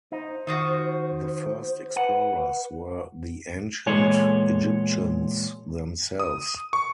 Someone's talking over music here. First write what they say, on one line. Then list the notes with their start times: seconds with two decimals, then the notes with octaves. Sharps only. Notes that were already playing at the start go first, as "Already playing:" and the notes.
The first explorers were the ancient Egyptians themselves.
0.12 D#4 C5
0.47 D#3 D#4 F4 F#4
1.96 B4 F#5
3.87 E2 A#2 G#3 A4 C#5 G#5
6.19 D#6
6.73 C#6